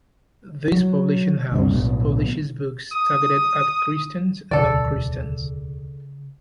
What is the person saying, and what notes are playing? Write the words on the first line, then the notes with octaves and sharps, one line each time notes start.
This publishing house publishes books targeted at Christians and non-Christians.
F#3
D2 G2 C3
B1 A2 B3
D#6
E1 D2 C#3 A4 D5